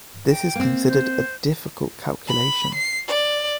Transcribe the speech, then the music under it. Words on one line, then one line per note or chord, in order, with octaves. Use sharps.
This is considered a difficult calculation.
G5
A#3 C4
C5
B5
C7
D5